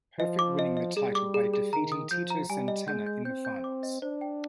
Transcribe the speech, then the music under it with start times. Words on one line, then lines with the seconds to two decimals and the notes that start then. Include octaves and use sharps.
Perfect winning the title by defeating Tito Santana in the finals.
0.20 F3 D#5
0.39 D6
0.59 D#5
0.77 D#5
0.96 G3 G#4
1.15 D6
1.34 G#4
1.54 G#4
1.73 D#3 A#5
1.92 D#6
2.11 F3 G6
2.30 A#5
2.49 G3 G#5
2.68 D#5
2.87 G#3 G6
3.06 G6
3.25 C4 G6
3.45 G6
3.64 D6
3.83 D#5
4.02 D4 C5
4.21 G5